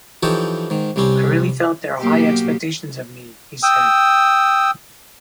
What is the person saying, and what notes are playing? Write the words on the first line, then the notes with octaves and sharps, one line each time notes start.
"I really felt their high expectations of me", he said.
E3 F3 D#4 G4 A4 C#5
G#2 D#3
C2 C3 G3 C4 C#4
B2 F#3 A#3 G4
G5 D#6 E6